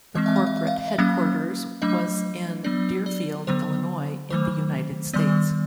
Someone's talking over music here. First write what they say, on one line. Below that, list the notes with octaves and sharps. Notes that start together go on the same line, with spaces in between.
The corporate headquarters was in Deerfield, Illinois in the United States.
E3 G#3 C4 D#5
E5
F5
E5
E5
F5
F5
E5
F#3 A#3 C#4 F5
F#3 A3 D4 D#5
F#3 B3 D4 D5
D5
D3 F#3 B3 C5
D#3 F#3 A3 C5
D#3 G3 B3 D5